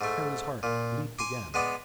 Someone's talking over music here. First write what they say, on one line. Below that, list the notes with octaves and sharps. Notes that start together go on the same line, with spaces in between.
Harry's heart leaped again.
G#2 A3
A#2
G#5 C6 D6
G#3 B3 D5